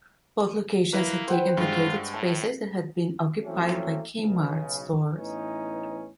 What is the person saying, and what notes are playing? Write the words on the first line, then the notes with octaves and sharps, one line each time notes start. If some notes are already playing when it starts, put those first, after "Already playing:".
Both locations had taken vacated spaces that had been occupied by Kmart stores.
A#3 E4 B4
C5 F#5 G5
G2 G#3 F4
A2 A5
E3 F#3 A3 A#3 C4 C#4
B1 C#3
A2 E3 B3 C#4 D#4